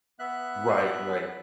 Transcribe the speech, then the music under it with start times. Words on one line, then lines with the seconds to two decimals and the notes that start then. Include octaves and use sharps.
Right, right.
0.19 B3 E5 F#6